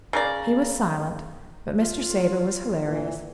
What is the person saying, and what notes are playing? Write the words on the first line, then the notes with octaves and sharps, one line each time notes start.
He was silent, but Mr. Savor was hilarious.
C#3 A#4 D5
F4
A#2 E3